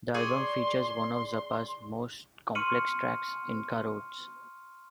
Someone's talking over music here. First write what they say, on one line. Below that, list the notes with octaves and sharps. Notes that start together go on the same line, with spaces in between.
The album features one of Zappa's most complex tracks, "Inca Roads".
G#4 C#5 D5 C6
C6 C#6 F6 C#7 D#7 F#7